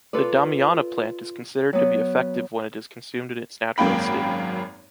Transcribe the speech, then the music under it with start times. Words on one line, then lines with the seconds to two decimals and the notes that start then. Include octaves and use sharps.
The damiana plant is considered to be effective when it is consumed in its natural state.
0.13 F4 A4 B4 D5
1.73 F#3 B3
3.78 G#1 F#2 A#3 G5 B5